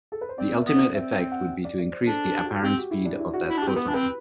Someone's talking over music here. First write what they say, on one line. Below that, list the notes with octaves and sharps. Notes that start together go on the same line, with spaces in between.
The ultimate effect would be to increase the apparent speed of that photon.
A4
B4
C5
C4 D5
E5
B3
C5
C4 E5
G5
F#5
D5
D5
C5
D4 A4
G4
F#4
C4 G4
F#4
E4
D4
E4
F#4
E4
D4
G4
C4
B3 B4
D4
C4 B4